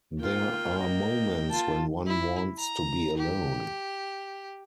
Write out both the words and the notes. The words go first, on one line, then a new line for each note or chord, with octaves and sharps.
There are moments when one wants to be alone.
A#3 F4 G5
D#5
F4 A5
E4
A#5
G4